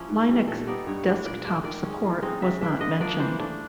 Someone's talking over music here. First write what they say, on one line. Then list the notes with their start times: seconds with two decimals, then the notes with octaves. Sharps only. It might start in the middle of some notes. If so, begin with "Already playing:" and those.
Linux desktop support was not mentioned.
Already playing: F3 A#3 C#4 E4
0.09 G#2
0.29 E3 G3
0.48 A#2 A4
0.67 G3 B3 D#4 D5
0.87 G2 C#5
1.06 E3 A3 D4
1.26 A#2 D5
1.45 F3 A3 D5
1.64 D#3 D5
1.84 G#3 C#4
2.03 E3
2.22 G#3 C4 D#4
2.42 C#3 E5
2.61 E3 A3 D4 E5
2.81 D3 D#5
3.00 F3 A#3 D4 D5
3.19 E3 C5
3.39 A3 D4